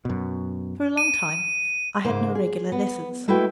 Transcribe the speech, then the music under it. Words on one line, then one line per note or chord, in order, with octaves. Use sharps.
For a long time I had no regular lessons.
F#2 B2
D#7
G#2 C#3 A#3 C5
G#4
B3
G#3 A3 E4 F#4 B4 G5